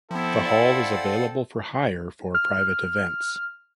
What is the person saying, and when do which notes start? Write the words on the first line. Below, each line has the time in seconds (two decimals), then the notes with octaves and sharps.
The hall is available for hire for private events.
0.11 F3 B3 C4 E4 A4
0.46 D5 F5 F#5
2.35 F6